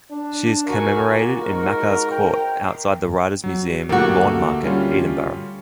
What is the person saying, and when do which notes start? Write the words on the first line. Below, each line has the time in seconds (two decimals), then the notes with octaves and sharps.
She is commemorated in Makars' Court, outside the Writers' Museum, Lawnmarket, Edinburgh.
0.11 D4
0.66 F#4 A#4 G#5
1.11 A#2 F#4
1.43 G#2 A#4
2.11 A#4 G5
3.44 F#3
3.89 D2 A#3 F#4 G4 A4
4.63 G3 C#4 F4